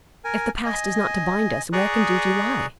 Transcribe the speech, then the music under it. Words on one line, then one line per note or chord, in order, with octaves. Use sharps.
If the past is not to bind us, where can duty lie?
A#4 G#5
D#5 G#5
G#4 D5 A#5 C#6 D#6 F#6